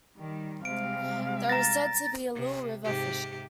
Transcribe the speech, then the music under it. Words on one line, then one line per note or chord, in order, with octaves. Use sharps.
There is said to be little river fishing.
D#3 G3
C3 G3 G#3 F5 D7
A#5 A6 A#6
C3
G#2 C3 G4